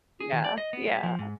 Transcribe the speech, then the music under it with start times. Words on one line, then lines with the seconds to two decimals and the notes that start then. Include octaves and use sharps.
Yeah, yeah.
0.20 G#4
0.33 D#3
0.44 D5
0.58 D#5
0.73 B3
0.87 G3
1.03 F3
1.19 G#2